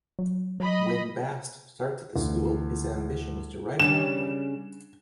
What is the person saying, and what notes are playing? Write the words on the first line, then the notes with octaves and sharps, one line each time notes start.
When Bast starts at the school his ambition is to write an opera.
F#3
F#3 D#5 B5
D2 E3
C#3 G3 C#4 D4 E7